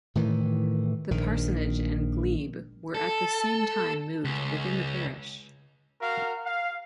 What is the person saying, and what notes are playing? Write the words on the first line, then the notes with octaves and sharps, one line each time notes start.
The parsonage and glebe were at the same time moved within the parish.
A2 D#3 E3
A#1 D#3
A4
C#2
F#4 A#4 F5
F5